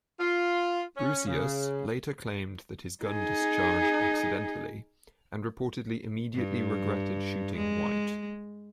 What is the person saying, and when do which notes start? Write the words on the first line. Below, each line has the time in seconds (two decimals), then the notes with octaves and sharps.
Brocius later claimed that his gun discharged accidentally and reportedly immediately regretted shooting White.
0.20 F4
0.97 C#4
1.27 C#3
3.04 D#4 G#4
6.35 G2
7.56 G#3